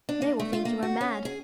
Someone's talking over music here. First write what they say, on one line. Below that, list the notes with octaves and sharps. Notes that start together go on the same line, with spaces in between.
"They will think you are mad."
D4
A#3
A3
F4
A#3
F#4
C#4
G#4